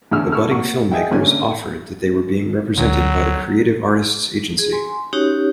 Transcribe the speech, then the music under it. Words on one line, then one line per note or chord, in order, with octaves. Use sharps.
The budding filmmakers offered that they were being represented by the Creative Artists Agency.
E2 A2 D3 G#4 E6 F6
A2 C#6 E6 F6
A#3 F#4 C#6
G#4 D#5 E5 F#5 G5
A1 D3 A#3 C#4 G#5
D2 F#3
G#4
G#5 C6
C#4 D#4 F#4 G4 C#5